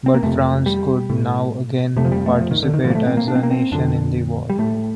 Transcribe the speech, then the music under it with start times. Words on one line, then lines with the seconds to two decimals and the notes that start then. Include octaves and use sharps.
But France could now again participate as a nation in the war.
0.06 C4
0.14 A#3
0.23 F2 C3 A3
0.66 G3
1.10 A2
1.97 F2 C3 A3
2.05 F3
2.12 G3
2.26 A3
2.40 F3
2.51 D#3
2.63 D3
2.74 D#3
2.84 A2 F3
2.90 A#3
2.95 A3
3.07 C4
3.17 A#3
3.28 D4
3.35 C4
3.43 A#3
3.51 C4
3.72 F2 D3 D4
4.50 G3
4.59 A2 A3